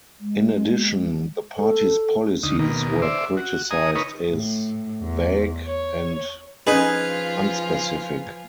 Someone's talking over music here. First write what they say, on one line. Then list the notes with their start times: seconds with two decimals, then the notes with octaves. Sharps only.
In addition, the party's policies were criticised as vague and unspecific.
0.20 G#3
1.57 A4
2.43 D2 D#4
2.59 B2 D#3 A#3
3.02 C5 D5 E5
3.37 F#4
3.71 D#5 G#5 A#5 D#6
3.95 D#4 A#4 B4 C#5 D#5
4.30 A2
5.00 E2
5.67 C#5
6.67 F3 C#4 D#4 F4 G#4 B4 G#5